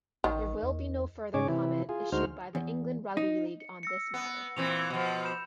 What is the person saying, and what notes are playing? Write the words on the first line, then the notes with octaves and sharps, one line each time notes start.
There will be no further comment issued by England Rugby League on this matter.
A1 D#3
E2
G#2 C#3 C#4 G#4 C#5 D6
C3 E3 E4
F4 G#4
D2 G#3 D#4 F#4 C5 F6
E2
D#4
C#7
E6 A#6 C#7
B3
A#2 E3 C4 F7
B2 F3
B5 G6 E7